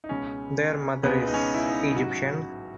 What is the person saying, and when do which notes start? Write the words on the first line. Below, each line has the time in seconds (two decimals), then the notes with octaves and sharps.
Their mother is Egyptian.
0.04 D#4
0.09 C#2 B2 G#3 C#4
1.03 C#2 B2 G#3 B3
1.27 D#4
1.34 C#4
1.54 E4
1.66 D#4
1.96 A1 G#2 F#3 F#4